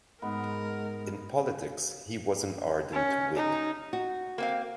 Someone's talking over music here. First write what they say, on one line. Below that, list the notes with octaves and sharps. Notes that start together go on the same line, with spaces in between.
In politics he was an ardent Whig.
G#2 G#3 B3 A#4
C#4
D#4
F#4
A#3 C4 F5